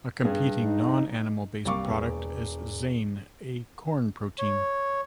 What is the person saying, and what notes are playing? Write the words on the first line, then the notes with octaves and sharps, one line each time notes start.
A competing non-animal-based product is zein, a corn protein.
G2 G#4
D#4
C2 G3 A#3 F5 C#6 D6
E1 B3
C#5